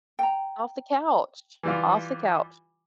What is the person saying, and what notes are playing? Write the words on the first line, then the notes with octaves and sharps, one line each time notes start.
Off the couch. Off the couch.
G5 A#5
E3 G3 F4